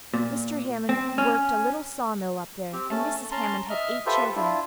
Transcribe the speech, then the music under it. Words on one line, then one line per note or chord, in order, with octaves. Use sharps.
Mr. Hammond worked a little sawmill up there, and Mrs. Hammond had eight children.
A#2
C4
C#4
C4 G4
A3 C#4 A5
C#4 A5 A#5 C6
D#5 E5 F6
F4 G4 A4 B4 C5 E5
D4 E4 F4